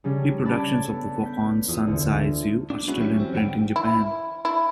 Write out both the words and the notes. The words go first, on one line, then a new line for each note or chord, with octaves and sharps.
Reproductions of the "Wakan Sansai Zue" are still in print in Japan.
C#3 G3 C#4 D4
D5 A5 B5 D6 G#6
B3 A4
G6 B6
E2 F4 D#6
D2 D3
D4
G#3 B3 C#4 E4 F#4
E3 F#3 C#4 G4
C4
F#2 D3 E3 G3 F#5 G5
E4
E4